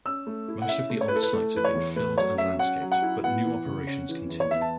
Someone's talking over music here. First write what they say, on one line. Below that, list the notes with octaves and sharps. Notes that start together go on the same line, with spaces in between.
Most of the old sites have been filled and landscaped, but new operations continue.
C#4 E6
A3
E4
F#5
C#4 E5
A3
C#5
B4
E4 A4
B4
A3 A4
E3 B4
C#5
E2
A3 B4
F#3 C#5
C#4 E5
C#4 F#5
F#3
F#5
E4
B3 F#5
E3
C#3
C#4
E3
E2
C#5
B3 E5
A5